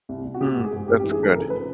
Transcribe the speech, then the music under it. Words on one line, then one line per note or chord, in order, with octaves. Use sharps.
Mm, that's good.
C2
C2
F#4
A#1 G4
G#2
G#4
G#2
A1 G4
G4
E3
G#4
A1 A4
C#3 A#4
F3 B4